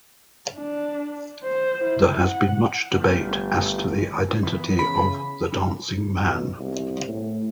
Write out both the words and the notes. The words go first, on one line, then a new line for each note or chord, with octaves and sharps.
There has been much debate as to the identity of the dancing man.
D4
C5
E4
F#5
G1 G2 F3 A3
E2 E4 B4
C#3 B5
B1
C2
A2